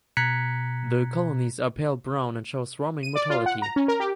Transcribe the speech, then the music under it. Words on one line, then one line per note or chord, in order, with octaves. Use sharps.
The colonies are pale brown and show swarming motility.
B2 A#5 F#6 G#6 B6 C#7
D#7
D5
F4
F#5
A#5
C#4
A#4
G4